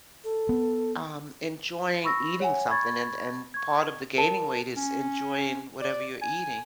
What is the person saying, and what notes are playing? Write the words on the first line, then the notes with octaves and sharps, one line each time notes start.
um, enjoying eating something, and and part of the gaining weight is enjoying whatever you're eating.
A4
B3
B5 C#6 E6 A#6
C#5 F#5 G#5
B5 C#6 G#6 A6
C#6 G#6
A#4 A5
C#4
D5
G#5